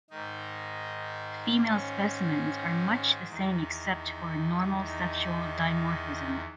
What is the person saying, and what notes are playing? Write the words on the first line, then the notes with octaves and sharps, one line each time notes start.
Female specimens are much the same except for normal sexual dimorphism.
G#2 D#3 D#4
C#4
E2 D#3 D#4
D#4